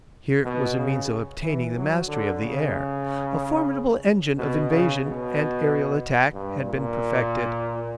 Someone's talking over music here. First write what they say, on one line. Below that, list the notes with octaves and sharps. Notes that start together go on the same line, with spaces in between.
Here was a means of obtaining the mastery of the air: a formidable engine of invasion and aerial attack had been perfected.
B2
C#3
E3
F#3
D3
C#3
B2
C#3
B2
G2
A#2